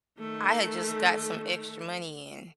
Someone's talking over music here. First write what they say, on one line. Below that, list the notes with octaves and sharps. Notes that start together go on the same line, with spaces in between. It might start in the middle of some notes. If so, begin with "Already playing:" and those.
I had just got some extra money in,
D#3 A3